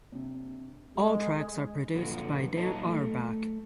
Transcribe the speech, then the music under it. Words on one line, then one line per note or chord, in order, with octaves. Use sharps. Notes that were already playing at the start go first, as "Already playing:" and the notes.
All tracks are produced by Dan Auerbach.
C3 D4
G#3 G#4 A4 D#5
F#2 A#2 D3 F3 F#4 B4
D#4 A4 D#5 A5
A#2 F#3 D#4 F#4
A3